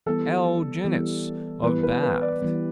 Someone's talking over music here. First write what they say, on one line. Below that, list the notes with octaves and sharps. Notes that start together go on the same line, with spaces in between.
L. Jenyns, of Bath.
E3 G3 B3 A4
E3 G3 B3
E3 G3 B3 B4
B4
B4
D5
E3 G3 B3